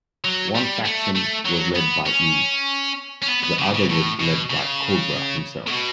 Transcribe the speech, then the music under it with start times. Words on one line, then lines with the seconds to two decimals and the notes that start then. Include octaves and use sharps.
One faction was led by Eve; the other was led by Kobra himself.
0.24 F#3
0.55 G3
0.85 A3
1.15 A3
1.46 F#3
1.76 B3
2.07 C#4
3.22 C#4
3.28 B3
3.43 B3
3.59 C#3
3.74 C#3
3.89 A2
4.20 B2
4.50 C#3
5.67 A2
5.71 B2